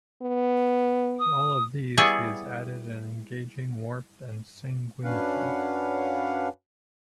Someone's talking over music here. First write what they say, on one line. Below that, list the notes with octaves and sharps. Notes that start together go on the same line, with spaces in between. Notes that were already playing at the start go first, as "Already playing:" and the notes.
To all of these, he has added an engaging warmth and sanguinity.
B3
D#6
G3 B3 E4 G#4 C#5 F#5
F#2 C#4 D4 B4 F5 F#5